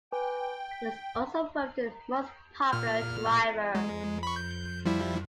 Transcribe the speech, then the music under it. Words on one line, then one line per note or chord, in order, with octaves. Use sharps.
He was also voted Most Popular Driver.
B4 G5 G#5 D6
B6
A#2 F6
G#3
B5 C#6
G6
F3 G3 E4